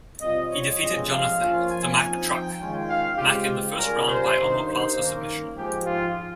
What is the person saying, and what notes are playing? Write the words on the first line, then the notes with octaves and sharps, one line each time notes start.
He defeated Jonathon "the Mack Truck" Mack in the first round by omoplata submission.
C3 G3 C4 F4 D#5
C#5
G2 F3 G#3 C4 D#5
F5
F3 A#3 C#4 F4
G#5
F3 C4 D#4
G5
D#3 G#3 C#4 F4
F5
C#3 G#3 C4 F4 G4
C#3 G3 C#4 F4 A#4
C5
G2 D#3 A#3 D#4
C5
D#3 A#3 C#4
G#2 F3 G#3 G4
F4